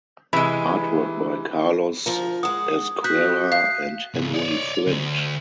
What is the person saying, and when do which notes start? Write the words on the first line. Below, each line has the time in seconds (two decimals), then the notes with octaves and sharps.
Artwork by Carlos Ezquerra and Henry Flint.
0.33 C3 E3 G#3 E4 B5
2.06 D2 F3 A#4
2.43 G#3 F#5 D#6
3.04 F#4 F#6 G6 B6
3.52 A3 F5
4.14 G#2 C#3
4.34 C#5 D5
4.87 D2